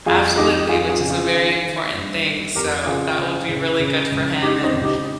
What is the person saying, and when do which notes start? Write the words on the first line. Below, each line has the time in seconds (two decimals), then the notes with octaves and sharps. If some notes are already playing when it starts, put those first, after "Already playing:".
Absolutely, which is a very important thing, so, that will be really good for him and
0.06 F2 F4 G#4
0.38 F2 D#4 G4
0.69 F2 F4 G#4
0.89 F4 G#4
1.00 C#3
1.10 F4 G#4
1.31 D#3
1.62 D#3
1.93 G2
2.24 D#3
2.55 F2 G4 A#4
2.86 C#3 F4 G#4
3.18 C#3
3.49 C#3
3.80 C#3
4.12 C#2
4.42 C#3 D#4 G4
4.63 C4 D#4
4.74 C#2
4.83 D#4 G4